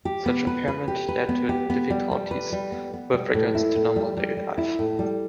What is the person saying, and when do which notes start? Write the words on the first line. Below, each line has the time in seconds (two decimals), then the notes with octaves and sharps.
Such impairment led to difficulties with regards to normal daily life.
0.05 G4
0.26 B3
0.47 B4
0.68 B4
0.88 G4
1.09 B4
1.29 B3
1.49 G4
1.70 B3
1.90 G3
2.11 G3
2.31 B4
2.52 G3
2.72 B3
2.93 B3
3.14 G3
3.34 A2
3.55 E4
3.75 A2
3.96 G3
4.17 G3
4.37 G3
4.58 E4
4.79 A2
4.99 G3